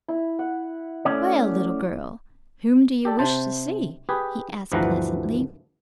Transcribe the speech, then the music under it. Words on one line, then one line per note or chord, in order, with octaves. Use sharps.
"Well, little girl, whom do you wish to see?" he asked pleasantly.
E4
F#5
A3 C#4 D5
G4 A4 D5
C3 C5 A5
G4 G#4 B4
D2 G2 E3 F3 F#5 A#5